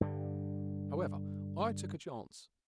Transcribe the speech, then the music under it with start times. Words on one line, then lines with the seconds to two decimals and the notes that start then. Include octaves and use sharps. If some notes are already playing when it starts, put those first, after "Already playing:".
However, I took a chance.
0.01 G2 D3 G3